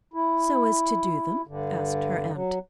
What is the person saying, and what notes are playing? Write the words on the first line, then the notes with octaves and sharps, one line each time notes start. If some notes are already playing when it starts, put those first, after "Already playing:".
"So as to do them?" asked her aunt.
E4
G2 D3
F#3